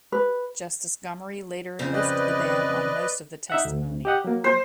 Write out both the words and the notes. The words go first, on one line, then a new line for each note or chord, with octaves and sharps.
Justice Gomery later lifted the ban on most of the testimony.
B4
F2 C#3 C4
B4 D5 D#5
D#4 E5 F#5
D2
G4 D#5 F#5
F#3 A#3
C5